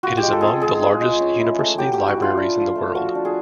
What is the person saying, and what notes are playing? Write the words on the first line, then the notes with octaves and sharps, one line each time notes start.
It is among the largest university libraries in the world.
F4 F#4
G4
G#3
A4
C4 G#4
A4
G#3 G#4
F4
G#3
C#4
E4
A3
F#3 G4
C#4 G4
F#4
E4 F4
D4
F3
A3
F3 F#4
D4
G#4